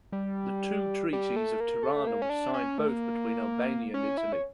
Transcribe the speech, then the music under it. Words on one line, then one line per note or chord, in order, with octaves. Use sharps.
The two Treaties of Tirana were signed both between Albania and Italy.
G3
G3
A3
A#3
A3
A#3
C#4
D4
C#4
A3
A#3
C#4
E4
C#4